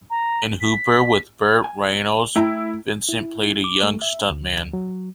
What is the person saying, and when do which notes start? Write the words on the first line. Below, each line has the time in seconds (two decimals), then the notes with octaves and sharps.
In "Hooper" with Burt Reynolds, Vincent played a young stuntman.
0.10 A#5
0.61 B6
1.64 G#5
2.36 A3 E4 G5 A#5
3.09 E4
3.64 D6
3.83 A3
4.02 E5
4.29 D2
4.73 F#3